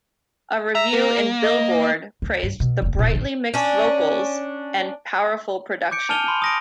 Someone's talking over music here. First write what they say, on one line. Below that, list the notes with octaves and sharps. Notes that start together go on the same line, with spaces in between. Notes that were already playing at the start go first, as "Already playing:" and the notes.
A review in "Billboard" praised the "brightly mixed vocals" and "powerful production".
E5 A#5
A#3 A#4
D#5
D2
G2
B2
F1 B3
D#1 A#2
A1 D3
C#4 D4
D6 G6 C#7 D7
G#5 A5 F6 D#7 F7 G7
B5 C6
D#6 A#6 D7